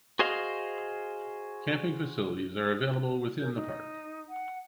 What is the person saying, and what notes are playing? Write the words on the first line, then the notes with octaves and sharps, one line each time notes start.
Camping facilities are available within the Park.
F#4 G#4 C5 D#5 F5
C#4 A#4 G6
D#4
F#5